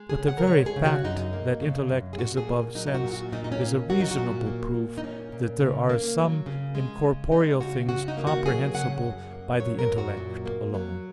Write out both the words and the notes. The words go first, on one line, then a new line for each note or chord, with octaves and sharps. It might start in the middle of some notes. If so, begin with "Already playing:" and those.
But the very fact that intellect is above sense is a reasonable proof that there are some incorporeal things comprehensible by the intellect alone.
Already playing: G#3
G#4
C#3
F#5
A#4
G#3 C#5
G#4
C#3
F#4
F#2 D#4
A#3
C#3
F#2
G#4
A#2 F#4
G#4
A#3
F#3 D#4
D#4
F#4
A#2
F#4
A#2 D#4
D#4
C#4
A#3
F#3 F#4
D#4
F#4
A#2
A#3
A#2
D#4
A#3 C#4
A#2
C#3
A#3
F#3
C#3
G#3
C#3
G#3 D#4
C#3 F#4
C#3 F#4
D#4
A#3
F#4
F#3 G#4
C#3 F#5
F#2
A#3
F#3 C#5
A#4
F#2
F#4
A#2
A#3
F#3